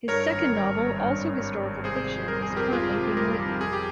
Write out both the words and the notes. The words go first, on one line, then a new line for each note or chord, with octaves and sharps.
His second novel, also historical fiction, is currently being written.
G2 A#4 C#5
G#1
G3
G#1
G2
G#1
G3
G#1
C3 G#4 C5
F2
G3 A#4
G#4
F2
G4 A#4
C3 F4 G#4
F2
G3 G4 A#4
F2
F2 G#4
G4